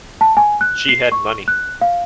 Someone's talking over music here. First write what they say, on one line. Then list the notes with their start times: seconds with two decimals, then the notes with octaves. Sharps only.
She had money.
0.21 A5
0.37 G#5
0.61 F#6
0.89 C7
1.12 C#6
1.48 F#6
1.81 F5